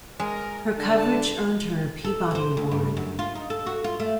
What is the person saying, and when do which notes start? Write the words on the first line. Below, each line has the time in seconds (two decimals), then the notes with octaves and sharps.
Her coverage earned her a Peabody Award.
0.20 G#3 A#4
0.77 D3 A5
2.04 A4
2.35 C5
2.57 D2
2.71 G2
2.97 F#2
3.19 F4
3.35 D#4
3.50 A4
3.66 F#4
3.84 F4
4.00 A3